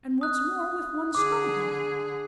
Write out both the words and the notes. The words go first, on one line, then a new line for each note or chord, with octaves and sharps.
And what's more,--with one scull gone.
D#6 F#6
D3 G#4 D6